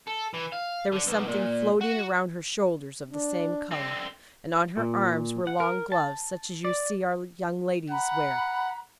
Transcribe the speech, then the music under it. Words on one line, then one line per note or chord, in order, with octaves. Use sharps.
There was something floating round her shoulders of the same colour, and on her arms were long gloves such as you see our young ladies wear.
A4
E3
F5
D3
B1
A#2
F#4
D4
D3 C4
A#2
F#5
A#4
A5
D5
F#5 A#5 B5